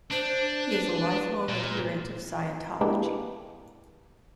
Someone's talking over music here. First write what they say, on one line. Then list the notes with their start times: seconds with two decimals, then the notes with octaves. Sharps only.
He is a lifelong adherent of Scientology.
0.11 D4 C5
0.71 B4
1.49 A#2
2.81 G#3 A#3 B3 D4 E4 G4